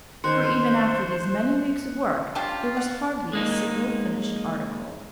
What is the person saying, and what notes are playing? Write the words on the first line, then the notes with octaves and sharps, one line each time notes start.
For even after these many weeks of work there was hardly a single finished article.
D#3 C#4 C5 C6 F#6 C#7
C#4 D4 F4 G4
F#5
G#3 A#3 D#4